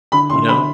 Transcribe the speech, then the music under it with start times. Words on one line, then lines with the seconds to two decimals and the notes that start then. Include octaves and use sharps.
you know?
0.12 D3 B5
0.30 C6
0.35 D3
0.49 B5